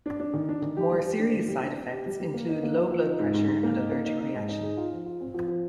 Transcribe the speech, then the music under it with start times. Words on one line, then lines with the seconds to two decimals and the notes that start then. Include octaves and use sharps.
More serious side effects include low blood pressure and allergic reaction.
0.06 D4
0.20 D4
0.33 D#3
0.49 D4
0.62 D#3
0.77 G4
0.91 G3
1.06 G4
1.19 D4
1.34 D#3
1.48 G3
1.63 D4
1.77 D4
1.91 G4
2.06 G3
2.20 G3
2.34 A#3
2.49 D#4
2.63 A#3
2.77 F3
2.91 F3
3.06 D#4
3.20 G#2
3.34 G#2
3.48 G#2
3.63 A#3
3.76 D#4
3.91 A#3
4.05 D#4
4.20 D#4
4.34 G#2
4.49 D#4
4.63 G#4
4.77 F4
4.91 F3
5.06 F4
5.21 C4
5.34 F3
5.48 F3